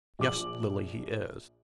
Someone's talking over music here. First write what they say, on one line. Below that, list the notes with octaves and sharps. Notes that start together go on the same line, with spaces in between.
Yes, Lily, he is.
A#1 D6 F#7